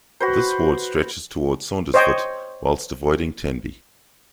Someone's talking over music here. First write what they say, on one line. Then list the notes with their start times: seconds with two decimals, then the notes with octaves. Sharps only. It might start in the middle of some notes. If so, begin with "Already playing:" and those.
This ward stretches towards Saundersfoot whilst avoiding Tenby.
0.20 F#4 B4 C5
1.94 C5 C#5 D#5 G5